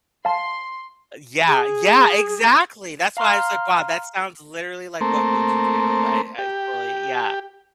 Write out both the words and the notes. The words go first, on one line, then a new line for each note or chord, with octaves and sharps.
Uh, yeah, yeah, exactly, that's why I was, like, "Wow, that sounds literally, like, 'What Would You Do.'" I I totally yeah.
F5 A5 C6
G#4
F5 A#5 C6 F6
A3 A#3 C4
G4